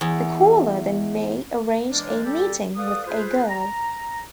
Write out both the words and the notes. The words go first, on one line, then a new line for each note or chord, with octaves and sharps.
The caller then may arrange a meeting with a girl.
E2
E3 G#3 A#3 D4
G3 C4 G4 A4
A4 B4 D5 F5 F#5 D#6
F4 G#4 B4 C5
A#5